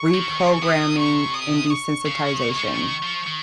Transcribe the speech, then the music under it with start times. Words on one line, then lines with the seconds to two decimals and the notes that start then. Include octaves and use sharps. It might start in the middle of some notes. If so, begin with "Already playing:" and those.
reprogramming and desensitization.
Already playing: C#6
0.14 D#3
0.29 D#3
0.37 C#3
0.62 C3 D#6
0.97 C#6
1.34 D#6
1.70 C#6
2.06 C#3
2.49 A#3
2.56 G#3
2.64 G3
2.71 F3
2.78 D#3
3.03 F3
3.27 D#3